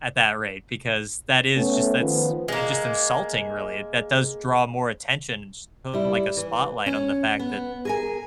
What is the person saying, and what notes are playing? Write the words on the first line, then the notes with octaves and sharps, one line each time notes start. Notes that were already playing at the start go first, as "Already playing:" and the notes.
at that rate, because that is just that's it's just insulting, really. That does draw more attention, just like a spotlight on the fact that
A3 B3 C#4
D#3 F3 B3
G#3 A#3
G3 E4
E3
C#4
B3
G#4 A#4 G#5